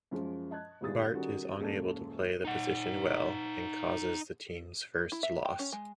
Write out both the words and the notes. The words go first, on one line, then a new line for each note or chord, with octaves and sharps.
Bart is unable to play the position well and causes the team's first loss.
F#2 F3 G#3
D#5 A5 F#6 G#6
G1 A2 G3 G#4 D#6 A6
D#3 G3 C#4 F#4 A4 A#4
D#1 F#2 G#3 A#3 A4 A5
D#4 F#5
E4
E5
G5
C#4
G#3